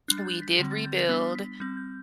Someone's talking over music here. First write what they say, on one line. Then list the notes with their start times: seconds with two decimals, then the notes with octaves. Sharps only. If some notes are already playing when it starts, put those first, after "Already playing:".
we did rebuild
0.08 G3 D4 F#6
0.18 A6
0.25 G6
0.42 B6
0.59 D3 G3 C4
0.71 A6
0.85 G6
0.97 A6
1.09 G3 B3 D4 B6
1.35 B6
1.60 G3 C4 G6
1.77 G6